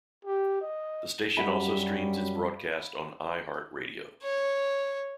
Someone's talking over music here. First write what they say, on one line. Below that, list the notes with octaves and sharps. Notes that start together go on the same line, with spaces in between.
The station also streams its broadcast on iHeartRadio.
G4
D#5
F#2 G3 F5 F#5 B5
C#5